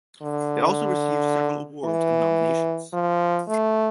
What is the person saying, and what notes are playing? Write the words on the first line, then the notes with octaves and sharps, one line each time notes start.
It also received several awards and nominations.
D3
E3
F3
A3